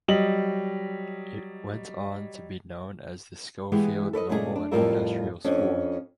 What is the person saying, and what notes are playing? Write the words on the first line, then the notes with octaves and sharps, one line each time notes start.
It went on to be known as the Schofield Normal and Industrial School.
F#3 G3 D#5 F#7
E3 G#3 B3 G4
A4 B4 D5 D#5
A#2 C#3 G#3 A3 G4 G#4
D4
F2 A2 G3 F4 A#4 E5
F2 C#4 D4